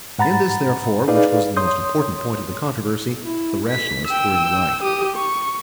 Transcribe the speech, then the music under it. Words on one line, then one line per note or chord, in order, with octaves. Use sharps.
In this, therefore, which was the most important point of the controversy, the rationalists were in the right.
G#2 F#5 A#5 B5 A6
D#4 G#4 B4 D5 F5
C#5 C6 D#6 G6
E4
B6
G5 E6
G4 D#6
C#6